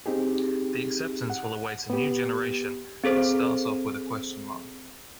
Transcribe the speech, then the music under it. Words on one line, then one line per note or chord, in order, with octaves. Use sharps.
The acceptance will await a new generation that starts off with a question mark.
C4 D#4 G4 G#4
F#5
B3 G4
C4 G#4 A4 C5